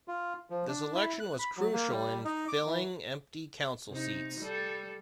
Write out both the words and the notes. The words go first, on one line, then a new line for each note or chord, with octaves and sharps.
This election was crucial in filling empty council seats.
F4
F3
D4
E4
F#6
B5
F#3
A#3
G3
D#4
D6
E3
C3 D#4
G3 A4